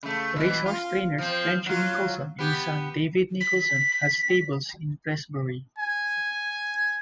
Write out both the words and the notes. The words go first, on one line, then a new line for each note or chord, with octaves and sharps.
Racehorse trainers Frenchy Nicholson and his son David Nicholson had stables in Prestbury.
C#3 A3
B2 E3
F4
F3 C4
F#3 F4
B3 G4
B6
G#5